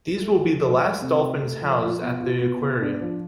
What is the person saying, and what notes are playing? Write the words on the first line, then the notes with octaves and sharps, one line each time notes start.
These will be the last dolphins housed at the aquarium.
A3
F3
A3
A3
C3
A3
A3
F3
F4
B3
F4
B3
B3
D4
F3